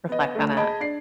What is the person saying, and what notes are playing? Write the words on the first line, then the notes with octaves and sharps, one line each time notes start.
reflect on a
B3 D#5
D2 A3
G#4 D#5 A5 B5 G#6 D7
D4 D5 C7